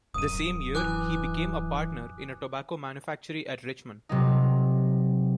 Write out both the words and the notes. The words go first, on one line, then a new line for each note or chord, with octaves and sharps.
The same year, he became a partner in a tobacco manufactory at Richmond.
D1 F#2 D#6 D#7
E3 G#5 D6 F#6
C3 F#3 D#4